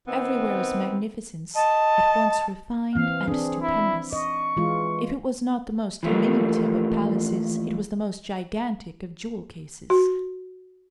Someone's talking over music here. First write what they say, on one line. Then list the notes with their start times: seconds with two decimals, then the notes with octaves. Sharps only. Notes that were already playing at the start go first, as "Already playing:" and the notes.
Everywhere was magnificence, at once refined and stupendous; if it was not the most diminutive of palaces, it was the most gigantic of jewel-cases.
0.06 D#3 B3 C4
1.55 D#5 A5
2.95 E3 C4 F5
3.28 C4 D4 G#4
3.61 E4
4.12 D#5 C#6
4.57 E3 G#3 F4
6.03 E3 F3 A3 A#3
9.90 F#4